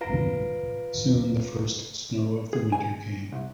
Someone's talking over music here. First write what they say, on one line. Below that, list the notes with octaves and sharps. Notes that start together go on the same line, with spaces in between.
Soon the first snow of the winter came.
F4 B4 F5 A#5 A#6 D7
G#4
G#5
C2